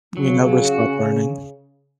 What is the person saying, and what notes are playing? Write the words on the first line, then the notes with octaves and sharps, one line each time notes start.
We never stop learning.
C#3 F#3
F#3
F#4